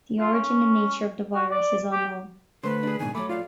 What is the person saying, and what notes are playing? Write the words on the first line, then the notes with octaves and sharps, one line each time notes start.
The origin and nature of the virus is unknown.
F4
C#4
F#4
D5
G4
D3 A3 B4 C5
D4 G#4
G#2 B2 D#3 G#5
F#3 A3 B5 D6
F4 D5 F5